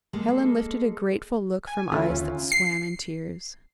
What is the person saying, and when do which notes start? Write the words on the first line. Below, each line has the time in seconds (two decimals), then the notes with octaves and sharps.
Helen lifted a grateful look from eyes that swam in tears.
0.13 G#3 A#3 A4
1.67 G#5
1.92 D2 C#4 E4 F4 A4
2.09 D#2 C#4
2.52 C7